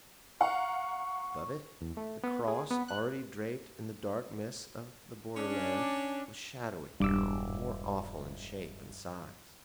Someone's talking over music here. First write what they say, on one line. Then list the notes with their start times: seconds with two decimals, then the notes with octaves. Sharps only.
Above it the cross already draped in the dark mists of the borderland was shadowy and more awful in shape and size.
0.41 F5 F#5 A#5 C#6
1.81 E2
1.97 A3
2.23 B3
2.48 G#4
2.71 B3
2.88 F#6
5.37 C#4 D4
7.00 E1 G2 D6 E6